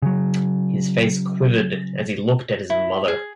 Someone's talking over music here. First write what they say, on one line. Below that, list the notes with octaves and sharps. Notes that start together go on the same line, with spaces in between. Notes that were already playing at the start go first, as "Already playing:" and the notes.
His face quivered as he looked at his mother.
C#3 F#3
E4
G#4